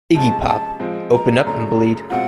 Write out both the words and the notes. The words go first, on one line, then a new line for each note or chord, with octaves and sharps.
Iggy Pop: Open up and bleed.
C3 F3 G#3 C#4 A5
A5
F3 G#3 C4
A#5
F#2 C#3 F#3 A3 D4 A#5
B2 G#3 C4 F4 F#5